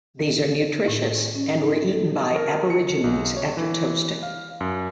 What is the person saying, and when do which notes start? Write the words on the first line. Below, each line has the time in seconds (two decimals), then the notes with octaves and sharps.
These are nutritious and were eaten by Aborigines after toasting.
0.21 D#3
0.47 A4
0.88 A2
1.35 C#4
1.61 D#4
1.92 A4
2.35 A#4
2.70 C#7
3.04 B1
3.37 C#5
3.57 E3
4.23 F5
4.61 F#2